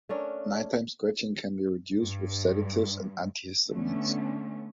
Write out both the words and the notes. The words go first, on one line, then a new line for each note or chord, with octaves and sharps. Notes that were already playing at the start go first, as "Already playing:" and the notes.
Nighttime scratching can be reduced with sedatives and antihistamines.
A3 C#4 D4 A#4
G2
D3 A3 B3 C#4